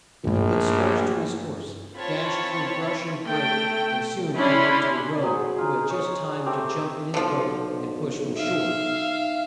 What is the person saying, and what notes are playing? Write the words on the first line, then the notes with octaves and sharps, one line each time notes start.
He put spurs to his horse, dashed through bush and brake, and soon came up to the rogue who had just time to jump in his boat and push from shore.
A#1 G2 A3
C4 F4 C#5 A5 B5
A3 G5
C#4 D4 E4 C#5 B5 C6
F#3 G#4 C5
D#4 F4 G#4
G#4 C#5
A3 C4 G4
B1 D3 F3
D#4 E5 F5